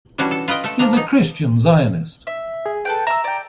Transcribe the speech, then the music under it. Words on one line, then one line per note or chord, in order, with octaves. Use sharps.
He is a Christian Zionist.
E3 G3 C#4 D4 F#4
A4
F4 B4 D#5 G5
A3 A4
F3 D4 A#5
B3 D#4
E5
G#4
A4 B4 G5
E5 A#5 E6
D5 G5